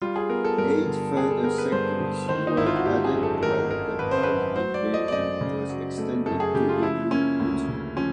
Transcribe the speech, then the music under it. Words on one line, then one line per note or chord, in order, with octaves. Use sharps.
Eight further sectors were added when the planned invasion was extended to include Utah.
G3 F4
G#4
B3 A#4
A4
G2 A#4
D3
G3 G#4
A4
B3 A#4
B4
G2 C5
D3
D#3 C5
D#4
G#1 E4
F4
F#4
G#1 G4
G#4
F#2
A4
A4
D#3 A#4
G#1 A#4
G#1 B4
C5
F#2 B4
F#3 C5
D5
A3
D#5
D5
F#2 D#5
C#3
F#3
A3
F#2 A4
G#4
C#3 G4
F4
F3 E4
A#3 C#4
D2
C#3
F3 C#4